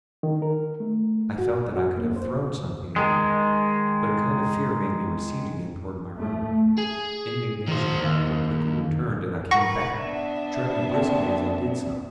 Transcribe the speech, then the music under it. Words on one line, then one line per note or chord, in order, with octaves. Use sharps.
I felt that I could have thrown something at her; but a kind of fear made me recede again toward my room. Indignation, however, quickly returned, and I came back, treading briskly as I did so.
D#3
A#4
A3
F#4
F#4
A#3
C5
D#3 G#3
A3
G#4
D#3 C5
D#2
A#4 B4 F#5 C#6 A#6
B3 D4 E5
C4